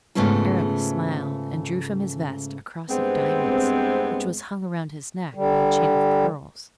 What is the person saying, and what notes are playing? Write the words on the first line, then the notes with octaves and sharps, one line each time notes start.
Aramis smiled and drew from his vest a cross of diamonds, which was hung around his neck by a chain of pearls.
G#2 C#3 A3 B3 C#4 F4
G2 G#3 B3 C4
D3 G3